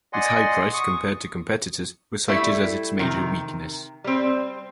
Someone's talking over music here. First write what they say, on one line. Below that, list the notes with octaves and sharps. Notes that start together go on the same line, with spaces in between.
Its high price compared to competitors was cited as its major weakness.
D5 D#5 F#5 G#5 C6
C#6 D#6
G3 A3 E4
C3 D#3
G3 C4